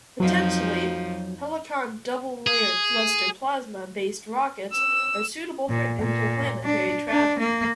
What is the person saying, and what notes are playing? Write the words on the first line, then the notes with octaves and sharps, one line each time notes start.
Potentially, Helicon Double Layer Thruster plasma based rockets are suitable for interplanetary travel.
F2 F3 F#3 D#4
G#4
E6
A#2
A#2
D4
D4
A#3